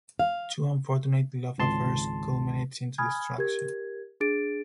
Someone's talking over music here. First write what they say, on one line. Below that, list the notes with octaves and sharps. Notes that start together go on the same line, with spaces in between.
Two unfortunate love affairs culminates into destruction.
F5
G#1 C#2 A5 C6
G#5 B5 D#6 F6 G#6
G4 A#4 G#6
D4 G#4 A6 D7